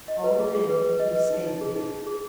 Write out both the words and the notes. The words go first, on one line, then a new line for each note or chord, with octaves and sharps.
All day he stayed there.
D#5
B4
G#4
G#4
B4
B4
D#5
B4
D#4
D#4
G#4
D#4
D#4
G#4